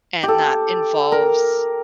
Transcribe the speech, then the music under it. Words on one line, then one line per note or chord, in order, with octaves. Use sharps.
and that involves
G4
A4
A#4